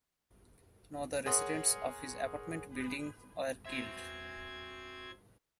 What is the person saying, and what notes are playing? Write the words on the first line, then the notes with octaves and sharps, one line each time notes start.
No other residents of his apartment building were killed.
G#4 A#4 C#5 F#5 C6 D#6
C4 F#4 E5 G#6